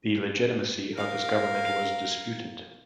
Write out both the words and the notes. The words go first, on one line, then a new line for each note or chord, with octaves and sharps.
The legitimacy of his government was disputed.
A#4 F5